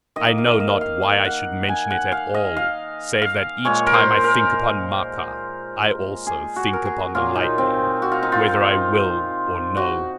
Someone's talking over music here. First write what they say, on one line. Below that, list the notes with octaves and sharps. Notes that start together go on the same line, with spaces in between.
I know not why I should mention it at all save that each time I think upon Maka, I also think upon the lightning, whether I will or no.
D#3 A#3 D#5
F5
D#5
F5
F5
F#5
G#5
F#5
F5
D#5
F5
F5
A#2 G#3 C#5
A#4
C5
A#4
G#4
F#4
A#4
G#4
A#2 F#3 A#3 F4
D#4
C4
F#4
F4
D#4
F4
F#4